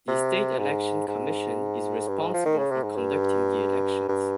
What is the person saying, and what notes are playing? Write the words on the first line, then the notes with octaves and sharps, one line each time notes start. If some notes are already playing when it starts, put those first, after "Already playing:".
The State Election Commission is responsible for conducting the elections.
C3
G#2
G#2
G2
G#2
F3
D#3
C#3
C3
G#2
G2
G2